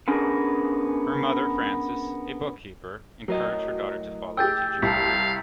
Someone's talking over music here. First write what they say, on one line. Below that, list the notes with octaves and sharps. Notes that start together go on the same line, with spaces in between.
Her mother, Frances, a bookkeeper, encouraged her daughter to follow a teaching career.
B3 C#4 D4 F4 G#4 A#4
A2 F#3 A#4 D#5
G4 G#4 G5 E6 G6 A6
C2 F5 A5 B6